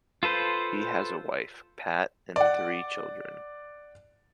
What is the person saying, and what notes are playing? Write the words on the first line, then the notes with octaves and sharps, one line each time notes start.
He has a wife, Pat, and three children.
F4 A4 B4 C5
D5 F#5